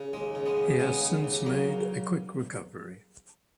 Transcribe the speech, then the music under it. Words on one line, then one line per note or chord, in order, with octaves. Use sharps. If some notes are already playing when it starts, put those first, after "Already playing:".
He has since made a quick recovery.
Already playing: C#3
D#2 G#3
C#3
G#3 B3
D#2
C#3 G#3 B3
C#3
D#2
C#3 F#3 A#3